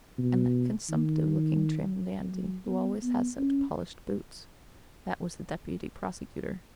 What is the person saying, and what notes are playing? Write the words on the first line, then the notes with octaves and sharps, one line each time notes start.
And that "consumptive-looking" trim dandy, "who always has such polished boots"--that was the deputy prosecutor.
B2
D#3
F#3
B3
B3
C#4